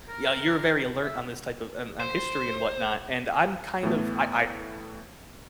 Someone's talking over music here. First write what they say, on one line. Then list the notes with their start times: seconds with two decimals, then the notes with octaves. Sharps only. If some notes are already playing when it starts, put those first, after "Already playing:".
yeah, you're very alert on this type of, on on history and whatnot, and I'm kind of I I
0.09 A#4
1.03 E5
2.00 C5
3.83 A2 E3 A3 B3